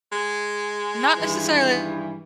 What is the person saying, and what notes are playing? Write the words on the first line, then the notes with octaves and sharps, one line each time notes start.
not necessarily
G#3
G2 D#3 E3